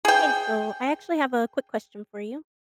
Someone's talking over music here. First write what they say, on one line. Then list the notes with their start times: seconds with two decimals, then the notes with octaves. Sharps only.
Hey, so I actually have a quick question for you.
0.05 G#4 G5